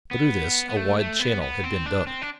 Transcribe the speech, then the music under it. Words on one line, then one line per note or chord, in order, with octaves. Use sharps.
Through this a wide channel had been dug.
B3
B3
A3
A3
B3
B3
C4
D4
C4
D4